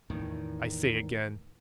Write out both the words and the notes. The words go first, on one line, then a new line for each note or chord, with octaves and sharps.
I say again.
E2 A2 D#3